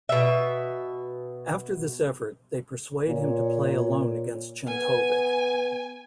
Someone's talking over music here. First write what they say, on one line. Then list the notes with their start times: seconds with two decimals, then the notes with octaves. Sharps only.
After this effort, they persuade him to play alone against Czentovic.
0.09 B2 E5
3.08 A#2 C#5
4.67 B3 G#5